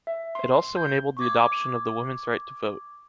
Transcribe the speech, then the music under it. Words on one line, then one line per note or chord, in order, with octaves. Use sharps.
It also enabled the adoption of the women’s right to vote.
E5
C6
G6
C#6 D6 G#6